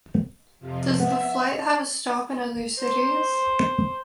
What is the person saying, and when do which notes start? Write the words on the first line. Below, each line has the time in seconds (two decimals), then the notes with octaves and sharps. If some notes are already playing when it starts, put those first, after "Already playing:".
Does the flight have a stop in other cities?
0.59 F2 C3 F3
0.99 B3 E5
2.79 C5